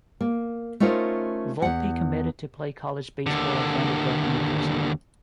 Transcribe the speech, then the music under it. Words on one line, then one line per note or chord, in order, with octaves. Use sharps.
Volpe committed to play college baseball at Vanderbilt University.
A#3
A3 C#4 D#4 F4 A#4 C5
E2 F#5
D#2 D3